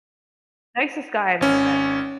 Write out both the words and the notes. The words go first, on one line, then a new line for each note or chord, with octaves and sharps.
Nicest guy I've ever met.
G#1 C#4